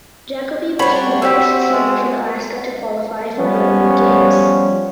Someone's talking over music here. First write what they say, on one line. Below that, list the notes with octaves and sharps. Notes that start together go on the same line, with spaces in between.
Jacoby became the first swimmer from Alaska to qualify for an Olympic Games.
G3 D4 F#4 C5 C#5 B5
C4 F#4 G4 C5 E5
G#3
F3 G3 B3 C#4